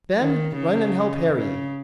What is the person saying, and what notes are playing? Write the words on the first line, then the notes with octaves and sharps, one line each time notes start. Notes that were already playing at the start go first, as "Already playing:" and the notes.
Ben, run and help Harry.
D#3
C#3
C#3